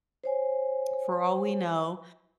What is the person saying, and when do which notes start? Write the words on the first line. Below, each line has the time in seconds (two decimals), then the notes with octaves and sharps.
for all we know,
0.24 C5 C#5 G#5